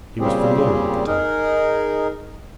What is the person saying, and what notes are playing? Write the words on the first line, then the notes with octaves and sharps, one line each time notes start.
He was familiar with the type.
A#2 C#3 G3 C4 G4 G#4
D#4 G#4 A#4